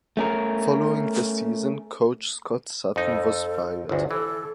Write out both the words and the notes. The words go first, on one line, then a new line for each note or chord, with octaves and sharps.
Following the season coach Scott Sutton was fired.
A3 C#4 A#4
F2 D#4 A4
G1 D2
E3 A4